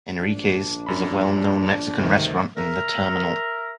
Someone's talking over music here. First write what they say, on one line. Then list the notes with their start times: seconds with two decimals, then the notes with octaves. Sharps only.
"Enrique's" is a well known Mexican restaurant in the terminal.
0.21 A#1 D4
0.86 F#2 B5
1.99 D2 G2 C3 D#3
2.57 A#4 E5 A#5